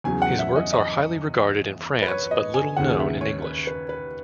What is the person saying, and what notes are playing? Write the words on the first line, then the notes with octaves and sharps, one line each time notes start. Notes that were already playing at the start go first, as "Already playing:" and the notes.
His works are highly regarded in France but little known in English.
E2 C#3 F#3 G#5
F#5
E5
D#5
D#5
B4
C#5
D#5
G#5
D#2 C#3 G#3 F#5
E5
C#5
B4
B4
B4